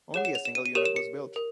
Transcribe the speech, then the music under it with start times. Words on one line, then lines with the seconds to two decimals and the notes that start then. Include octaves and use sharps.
Only a single unit was built.
0.14 G#4 C#5 F#5 E7
0.25 E7
0.35 F7
0.45 E7
0.55 D#7
0.66 D#7
0.75 G4 A#4 C#5 E7
0.85 E7
0.96 C#7
1.36 A#4